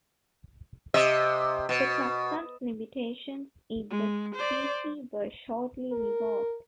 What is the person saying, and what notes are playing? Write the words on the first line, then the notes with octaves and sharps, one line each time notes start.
The customs limitations in the treaty were shortly reworked.
C3 D#5 E5
B2
G#3
C5 D5
A#4